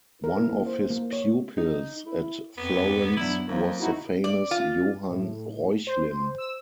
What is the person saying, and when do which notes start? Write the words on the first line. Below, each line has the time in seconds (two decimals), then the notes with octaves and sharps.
One of his pupils at Florence was the famous Johann Reuchlin.
0.24 A#4
0.39 E4
0.53 A#3
0.66 C5
0.90 A#3
1.13 C#5
1.58 D#4
2.06 E4
2.58 F2 B3
3.17 F#2 B3 D4 E4
3.48 F2 F#3 A#3 C4 F5
3.80 D#4 E4 F#4
4.24 D5
4.51 F4
5.10 A2
5.87 C5
6.38 E6